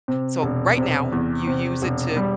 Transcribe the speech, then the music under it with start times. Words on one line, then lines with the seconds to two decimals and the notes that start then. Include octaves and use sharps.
so right now you use it to"
0.08 C3
0.43 E1
0.78 C3
1.12 E2
1.47 C3
1.82 E1
2.17 G3